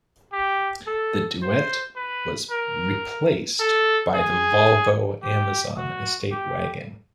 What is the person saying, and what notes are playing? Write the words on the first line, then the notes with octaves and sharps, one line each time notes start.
The Duett was replaced by the Volvo Amazon estate wagon.
G4
A4
C5
B4
A#4
A4
G#4
G4
F#4
G4